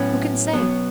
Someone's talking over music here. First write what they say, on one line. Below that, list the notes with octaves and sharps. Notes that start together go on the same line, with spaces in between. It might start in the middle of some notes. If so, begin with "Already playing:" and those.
Who can say?
Already playing: A2 F#3 B3 C#4
B2 F#3 B3